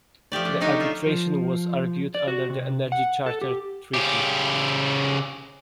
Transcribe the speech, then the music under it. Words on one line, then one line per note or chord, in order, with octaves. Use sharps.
The arbitration was argued under the Energy Charter Treaty.
F3 A3 G4 D5
F3 D4
D3 A3 D4 D#4 G4 C#5
F#3 F4 E5
F3
D5
F#4
C3
F#5
A4
G4
C#3 G4